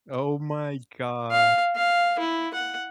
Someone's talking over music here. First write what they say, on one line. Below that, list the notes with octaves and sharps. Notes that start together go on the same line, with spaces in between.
Oh my gosh.
F5
F5
E4
F#5